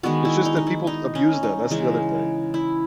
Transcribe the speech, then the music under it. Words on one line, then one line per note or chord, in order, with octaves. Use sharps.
It's just that people abuse them, that's the other thing.
D#3 G#3 B3 F#4
E4
D#4
D#4
E4
D#4
C#4
D#4
C#3 E3 G#3
E4